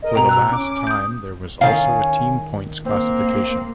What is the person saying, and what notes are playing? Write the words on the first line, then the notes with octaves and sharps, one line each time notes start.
For the last time, there was also a team points classification.
A#4 D#5
B2 G5 A#5
A#5 E6 F#6
C#4 D6
D#6 G6
D#3 C#4 F5
A#3 C4